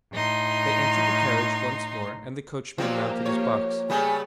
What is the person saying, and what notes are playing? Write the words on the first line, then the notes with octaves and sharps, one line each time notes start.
They entered the carriage once more, and the coachman mounted his box.
A2 D#4 C6
A#2 F3 F#3 A#3 C4 G4 D5
C#5
C#3 G3 A3 B3 G#5